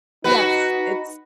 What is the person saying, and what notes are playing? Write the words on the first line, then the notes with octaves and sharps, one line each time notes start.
Yes, it's
D#4 F#4 B4